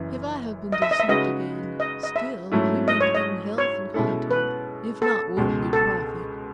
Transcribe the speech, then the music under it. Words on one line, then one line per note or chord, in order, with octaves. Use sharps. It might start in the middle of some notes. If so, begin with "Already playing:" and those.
If I have been deceived again, still we may glean health and content, if not worldly profit.
Already playing: F#1 F#2 E3
D#5
E5
D#5
E5
C#3 G#3 D#4 F#4 B4 D#5
D#5
D#5
E5
G#2 F#3 A3 C#4 E4
D#5
C#5
D#5
C#5
B2 G#3 C#4 E4 A4
B4
A4
C#2 B2 G#3
A4